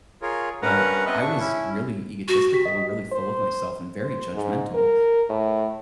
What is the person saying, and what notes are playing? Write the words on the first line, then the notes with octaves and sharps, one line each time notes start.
but I was really egotistical, and really full of myself, and very judgmental.
F4 G#4 A#4 C#5
G2 C#4 A#4 B4 F#5 A#5
B3 C4 B4 D#5 E5
C#3 D4 E5 C#6
C#4 E4
F#4
G4 B6
D#5 B6
C5
C5
G#2
A#4
A2